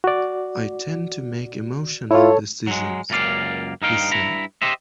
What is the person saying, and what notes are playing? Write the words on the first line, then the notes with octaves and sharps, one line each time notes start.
"I tend to make emotional decisions," he said.
F#4 D5
E4 F4 A4 C#5
F#3 G#3
C#2 F#2 A#3 D5 F5
G2 D#4 F5 G5
G2 E4 A#5
G4 C5 D#5 E5